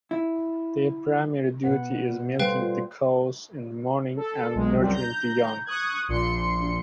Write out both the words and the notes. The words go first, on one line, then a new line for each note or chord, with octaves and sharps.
Their primary duty is milking the cows in the morning and nurturing the young.
E4
B2 B4 F#5
G3 A3 B4 C5 F5 G5
F4
A4
B1 G#3
C#2 F#2 G3 C4
A#5 G6
C#6 D#6 F#6 G#6
A#1 A#2 C6 C#7